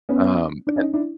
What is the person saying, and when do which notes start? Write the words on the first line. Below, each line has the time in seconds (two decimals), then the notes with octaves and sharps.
Um, and
0.09 B3 C#4
0.67 D4
0.76 C#4 D#4
0.93 D4 E4